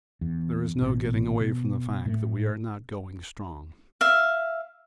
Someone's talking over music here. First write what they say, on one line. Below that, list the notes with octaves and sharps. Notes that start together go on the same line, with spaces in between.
There is no getting away from the fact that we are not going strong.
E2
A1 B2
B2
A2 D3 A3
E5 F5